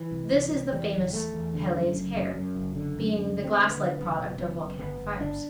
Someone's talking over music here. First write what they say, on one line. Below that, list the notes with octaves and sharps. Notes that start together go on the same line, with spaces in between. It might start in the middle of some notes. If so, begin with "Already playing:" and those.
This is the famous Pele's Hair, being the glass-like product of volcanic fires.
Already playing: E3
C2
C2
C2
E2 G3
F#1
E2 A3
E2
D3
F#2
F#1
F#2
F#2
F#1
D3
F#2
D2
D2
C4
D2
B3
D3
F#1 B3
B2
F#1 B3
F#1
G1 B3
G1
G1 D4